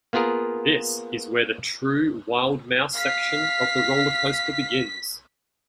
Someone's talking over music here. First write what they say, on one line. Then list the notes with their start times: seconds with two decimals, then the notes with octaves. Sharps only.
This is where the true wild mouse section of the roller coaster begins.
0.13 A#3 B3 F4 G#4 A#4
2.96 F5 B6